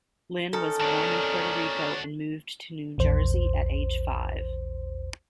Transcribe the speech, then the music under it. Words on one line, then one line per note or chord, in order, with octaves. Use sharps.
Lynn was born in Puerto Rico and moved to New Jersey at age five.
C#4 D#4 A4 A#4
D4 F#4 C#5 D5 A5
A#1 E2 C5